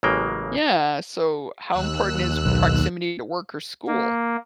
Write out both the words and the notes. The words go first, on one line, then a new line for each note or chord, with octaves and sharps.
Yeah, so how important is proximity to work or school
A1 C#3 F#3 G#3 A#3 G5
D#2 E6 F#6
B1
A#3